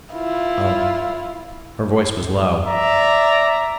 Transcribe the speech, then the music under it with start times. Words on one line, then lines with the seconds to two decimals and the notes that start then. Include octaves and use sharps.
"Oh." Her voice was low.
0.13 E4 F4
2.67 D5 E5 A#5